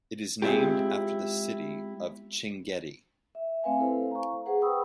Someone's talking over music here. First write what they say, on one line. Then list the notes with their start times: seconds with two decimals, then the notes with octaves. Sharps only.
It is named after the city of Chinguetti.
0.42 G#3 B3 C4 E4 F4 G4
3.35 E5
3.63 A3 C4 B4 F5 G#5
3.79 E4 A4 C5 F5
4.11 A#5 C#6
4.46 G#4 B4 C5 F#5
4.62 G5 B5 C#6 D#6 E6